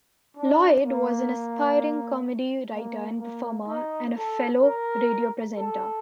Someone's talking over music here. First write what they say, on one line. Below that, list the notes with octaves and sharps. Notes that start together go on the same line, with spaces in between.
Lloyd was an aspiring comedy writer and performer, and a fellow radio presenter.
D4
A#3
A#3
A#3
D#4
A4
A#4
A4